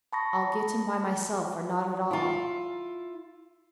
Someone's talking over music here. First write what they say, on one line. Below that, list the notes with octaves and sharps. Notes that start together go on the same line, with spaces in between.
I'll get him by myself or not at all.
A5 B5 C#6 D#6 A#6
E4 F4